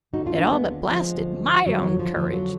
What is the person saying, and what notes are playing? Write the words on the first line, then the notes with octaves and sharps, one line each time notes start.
It all but blasted my own courage.
D2 D3 D#4 F#4
D4 F4
A#3 D4
G#3 B3
D#2 D3
F3 G#3
D2 D3
F2 D3 F#3
F#3
F3
F2 D3 F3
F#3